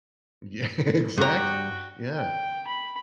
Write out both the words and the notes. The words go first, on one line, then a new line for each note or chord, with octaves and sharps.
Yeah, exactly. Yeah.
G2 F#4 G5 A#5
G5
B5